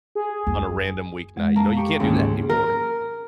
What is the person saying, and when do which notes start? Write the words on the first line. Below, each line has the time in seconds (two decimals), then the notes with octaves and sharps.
on a random weeknight, you know, you can't do that anymore.
0.15 G#4
0.47 F#2
1.37 F2 G#3
1.56 A#3 A5 A#5
1.77 G4 C#6
2.00 C#2 G#2 D#3 A#3 C#4
2.50 A#4